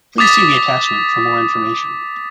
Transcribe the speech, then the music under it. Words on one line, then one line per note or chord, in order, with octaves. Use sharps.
Please see the attachment for more information.
D6 D#6 A6 B6